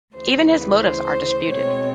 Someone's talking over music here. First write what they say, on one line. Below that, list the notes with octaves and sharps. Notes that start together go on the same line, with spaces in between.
Even his motives are disputed.
D2 C#3 E3 C5
B4
C5
B2 G#3 C4 C#5